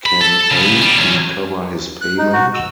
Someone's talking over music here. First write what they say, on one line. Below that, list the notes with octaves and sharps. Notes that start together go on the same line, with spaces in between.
Can A recover his payment?
B5
A4
C#3 B3
G3 B3
E2 C#4
F#6
D#4
F#4
E6